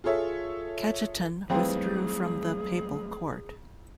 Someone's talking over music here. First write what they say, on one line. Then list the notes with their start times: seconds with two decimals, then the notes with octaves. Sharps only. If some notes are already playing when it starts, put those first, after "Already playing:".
Cajetan withdrew from the papal court.
0.04 F4 G#4 A4 C#5 E5
1.50 F2 E3 F#3 G3 A3 C4 G#4